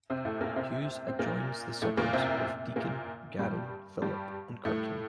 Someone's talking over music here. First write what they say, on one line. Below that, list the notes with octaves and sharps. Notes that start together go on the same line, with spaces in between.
Hughes adjoins the suburbs of Deakin, Garran, Phillip and Curtin.
C3 C4
A2 A3
A#2 A#3
C3 C4
C4
A#2 A#3
A2 A3
A#2 A#3
C3 C4
A#2 A#3
G2 G3
G2 G3
A2 A3